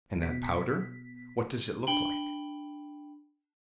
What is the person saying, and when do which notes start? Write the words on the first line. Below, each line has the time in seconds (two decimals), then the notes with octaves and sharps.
"And that powder, what did it look like?"
0.22 B2 B6
1.87 D4 G5 B5 D7 F#7 G7